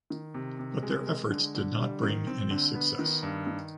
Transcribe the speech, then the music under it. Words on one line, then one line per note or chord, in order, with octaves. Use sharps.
But their efforts did not bring any success.
D#3
C3
C3
G#3
G#3
D3
D3
G3
D#3
C4
D3
B3
D#3
G2
D#3